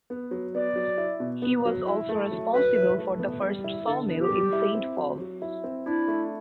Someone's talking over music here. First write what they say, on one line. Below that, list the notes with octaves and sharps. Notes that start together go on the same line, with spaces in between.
He was also responsible for the first sawmill in Saint Paul.
B3
F#3
B3 D5
F#3
E4
B2
B3
F#3
E4
A3
F#3
F#3 B4
E4
A3
B3
G3
E4
D3 A4
B3
G4
G3
E4
C4
F#3
F#3
E4
C4
D4 E4
A3